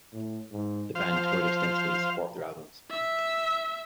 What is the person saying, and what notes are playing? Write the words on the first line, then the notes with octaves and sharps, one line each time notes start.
The band toured extensively in support of their albums.
A2
G#2
F3 C5 F5
E5